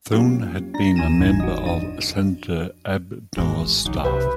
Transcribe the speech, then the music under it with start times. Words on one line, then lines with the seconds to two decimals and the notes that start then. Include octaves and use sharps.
Thune had been a member of Senator Abdnor's staff.
0.12 F#3 A#3 C#4 F4 G4
0.74 D4 A#5 A#6
0.96 D#2 F3 G#5 A#6 D#7 E7
1.21 G1 A2 E3 D#4 G#6
1.40 F#4 D#5
1.65 F2 F3 D4 D#7
3.37 G#1 G#2 E3 G#3 F#4
3.85 C2 C#3 E3 F#3 D#4
4.04 C3 G4 B4 C5 E5